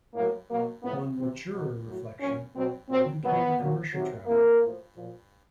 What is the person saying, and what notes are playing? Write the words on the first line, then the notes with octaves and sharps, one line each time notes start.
On maturer reflection he became a commercial traveller.
A2 F#3 A#3
B2 F#3 A#3
A2 F3 B3
C3 E3 C4
B2 F#3
A2 F#3
A#2 F#3 C#4
B2 F#3 C4
A#2 F#3 C4
B2 F#3 B3
A#2 F#3
C3 D#3 F#3
C3 E3 A#3
A2 F3
A#2 F3